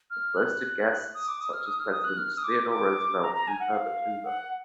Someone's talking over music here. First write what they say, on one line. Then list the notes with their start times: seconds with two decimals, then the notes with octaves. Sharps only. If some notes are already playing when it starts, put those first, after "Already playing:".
It boasted guests such as Presidents Theodore Roosevelt and Herbert Hoover.
0.11 F6
0.37 F#6
1.14 D#6
1.28 D6
1.40 D#6
1.53 F6
1.65 D#6
1.79 F6
1.91 D#6
2.04 F#6
2.17 F6
2.37 D#6
2.44 D6
2.70 D6
3.22 A#5
3.35 A#5
3.47 G#5
3.60 F#5
3.73 F5
4.24 F#5